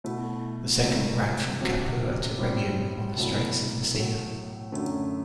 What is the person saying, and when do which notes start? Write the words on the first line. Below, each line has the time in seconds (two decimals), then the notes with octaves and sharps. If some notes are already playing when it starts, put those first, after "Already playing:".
The second ran from Capua to Rhegium on the Straits of Messina.
0.04 B2 A3 E4
0.82 C2 C3 F#3 A3 E4
1.60 D2 C3 F#3
2.38 A2 G3 C4 G4
3.16 C2 B2 F#3 A3 E4
3.94 A2 F#3 A3
4.72 F#2 D3 A3